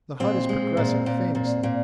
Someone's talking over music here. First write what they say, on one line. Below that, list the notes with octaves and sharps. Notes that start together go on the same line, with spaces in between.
The hut is progressing famously.
A#2 C4
G#3
A#2
A#2
A#2
A#2